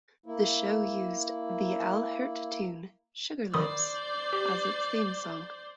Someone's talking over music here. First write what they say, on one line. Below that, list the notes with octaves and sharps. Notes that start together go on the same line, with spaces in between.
The show used the Al Hirt tune "Sugar Lips" as its theme song.
A#3 E4
D#3 C5 D5 B5 D#6
G4